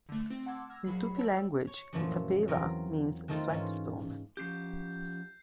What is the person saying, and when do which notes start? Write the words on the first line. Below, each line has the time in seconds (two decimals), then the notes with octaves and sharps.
In Tupi language, Itapeva means "flat stone".
0.09 D3 A3
0.30 C4
0.46 F#5 A5 C6 D6 E6 G#6
0.69 E6 F6 G#6 A#6
0.85 A#1 F#3 B5 C7
1.17 C#5 G5 A5 E6
1.67 C#5
1.93 F#2 A#2 E3 F3 A3
2.48 E2 F#3 C4 F4 A#4 C6
3.28 D#3 A3 C4 D#4 F4 A4
3.49 G#2 E3 C#4 F4
4.37 F3 C#4 G4 G6 C7